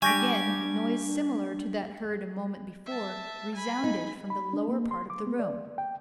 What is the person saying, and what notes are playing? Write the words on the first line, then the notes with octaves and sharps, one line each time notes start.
Again a noise similar to that heard a moment before resounded from the lower part of the room.
G3 D4 G4 G#5 C#6 G6 A#6
E5 A5
G#5 B5
D#4
B5
D4
A#3
C6
D6
B3
D5
G5